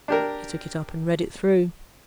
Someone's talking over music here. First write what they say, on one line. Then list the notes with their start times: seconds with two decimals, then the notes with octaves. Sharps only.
He took it up and read it through.
0.08 D4 G4 A#4